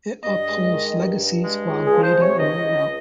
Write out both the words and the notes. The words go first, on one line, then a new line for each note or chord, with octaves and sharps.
It upholds legacies while grading a new route.
G2 D#5
G#3
D#3
G2
G2
G#3
C#2
G#4
F3
C5
C3
C#5
C#2 D#5
C#2